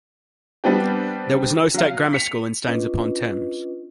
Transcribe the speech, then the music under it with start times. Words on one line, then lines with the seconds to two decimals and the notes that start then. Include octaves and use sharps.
There was no state Grammar School in Staines-upon-Thames.
0.64 G3 B3 C4 D4 G4
1.74 F#3 F5
2.13 B6 C#7 F7
2.65 C#4 D4 F4 B4 D#5